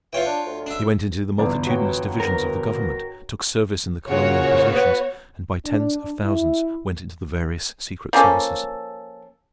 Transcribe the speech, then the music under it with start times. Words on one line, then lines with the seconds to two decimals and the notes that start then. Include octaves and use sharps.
They went into the multitudinous divisions of the government, took service in the colonial possessions, and by tens of thousands went into the various secret services.
0.13 E3 F4 C#5 G5
0.26 D4
0.46 D2
0.66 D4 E5
1.39 G1 E2 D5
1.67 F#4 C#5 G5
2.20 A#4
4.08 A#2 C#3 F#4 C#5
4.72 B3
5.66 D4
6.22 E4
8.13 F3 A#3 C#4 A4